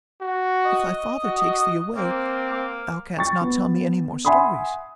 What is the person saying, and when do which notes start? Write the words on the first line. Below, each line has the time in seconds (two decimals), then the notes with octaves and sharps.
"If thy father takes thee away, thou canst not tell me any more stories."
0.21 F#4
0.66 D#5
1.24 F#4
1.96 A#3 C4
2.52 A#3
3.17 G5 C#6 A6
3.41 B3
4.25 E5 F#5 G#5 B5 C6 D#6